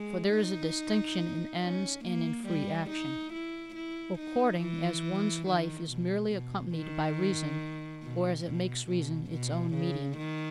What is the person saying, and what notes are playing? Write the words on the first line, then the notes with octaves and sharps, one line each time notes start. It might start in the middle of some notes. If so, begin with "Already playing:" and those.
For there is a distinction in ends and in free action, according as one's life is merely accompanied by reason or as it makes reason its own medium.
Already playing: G#3
D#4
C#4
A#3
G3
D#4
E4
E4
D#4
E3
D#3
B2
B2
D#3
B2
B2
B2
B2
C#3
D#3